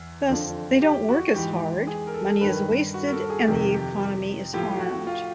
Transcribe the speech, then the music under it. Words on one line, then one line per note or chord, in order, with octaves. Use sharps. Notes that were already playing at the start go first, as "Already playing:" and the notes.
Thus, they don't work as hard, money is wasted and the economy is harmed.
Already playing: E2
F2 D3 F3
G4
F#4
G#2 E3 G4
G#4
A#4
A4
G2 D#3 B4
F#4
A#4
A4
G#4
F2 C3 D#3 G4
G4
G4
A2 F3 G4
F#4
F4